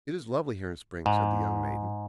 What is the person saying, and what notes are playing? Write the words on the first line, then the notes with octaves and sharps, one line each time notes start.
"It is lovely here in spring!" said the young maiden.
G#2